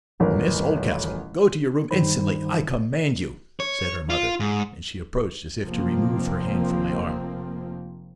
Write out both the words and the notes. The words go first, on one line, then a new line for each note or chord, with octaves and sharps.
"Miss Oldcastle, go to your room instantly, I COMMAND you," said her mother; and she approached as if to remove her hand from my arm.
D#1 A1 F#2 E3 A#4
G2 D#3 G3 D#4 C5 B5
C#5
F4
G#2
F1 F3 A#3 C4